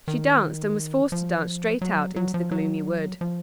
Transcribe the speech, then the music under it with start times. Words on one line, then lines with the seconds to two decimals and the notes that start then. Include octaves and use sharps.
She danced, and was forced to dance straight out into the gloomy wood.
0.08 D#3
1.12 F3
1.82 F#3
2.16 F#3
2.34 F3
2.51 F#3
3.21 F3